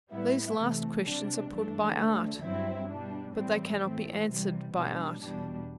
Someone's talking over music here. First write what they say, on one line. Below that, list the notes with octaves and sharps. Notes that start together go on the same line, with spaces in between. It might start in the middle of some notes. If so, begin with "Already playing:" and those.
These last questions are put by Art, but they cannot be answered by Art.
A2 G3 B3 E4
C3 E3 A3
C3 G3 D4
G2 E3 A3 D4
D2 D3 A3
G2 F#3 C4 E4
B2 G3 D4
A2 E3 G3 C4
A2 E3 A3 C4
C3 E3 G3
B2 G3 D4
E2 B2 G3 D4